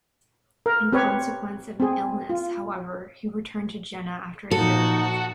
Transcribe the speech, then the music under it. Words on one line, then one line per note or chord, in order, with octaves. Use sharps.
In consequence of an illness, however, he returned to Jena after a year.
A#4
C4 G4 B4 C#5
C4 G#4
F4
A#2 F3 D#4 F#4 A4